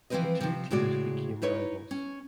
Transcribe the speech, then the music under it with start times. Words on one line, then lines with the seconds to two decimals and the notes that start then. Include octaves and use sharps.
The two teams became rivals.
0.10 E3 F3 G#3 C4 B4 D#5
0.40 C3 F3
0.71 A2 C#3 G#3 F#4 D5
1.42 D#4 E4 B4 C#5
1.91 C#4